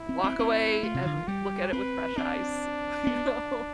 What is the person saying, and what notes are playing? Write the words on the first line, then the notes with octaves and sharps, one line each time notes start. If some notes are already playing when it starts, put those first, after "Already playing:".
walk away and look at it with fresh eyes, you know.
Already playing: E4
C4
C4
C4
A3 F4
C3
D3
E3
G3 G4
C4 B4
C4 D4
B3